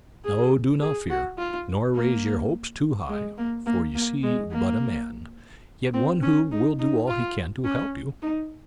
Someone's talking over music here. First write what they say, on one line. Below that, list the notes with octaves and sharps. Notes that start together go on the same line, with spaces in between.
No, do not fear--nor raise your hopes too high; for you see but a man, yet one who will do all he can to help you.
G#4
G#4
F#4
F4
A#3
G#3
A#3
A#3
A#3
G#3
A#3
C4
C#4
D#4
D#4
F4
C#4
D#4